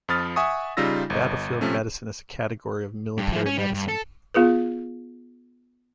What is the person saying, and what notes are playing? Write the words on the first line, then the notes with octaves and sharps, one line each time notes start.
Battlefield medicine is a category of military medicine.
F2 F3 B5 D#6 F6 A6
E5 F#5 G#5 C#6 D#6
C#3 G3 D#4 F4 E6 A#6
G1 D#5
C3 F3 A3 C#4
G2
F3 E4
C#4
G3
G2
A4
B3 F4 G#4 B4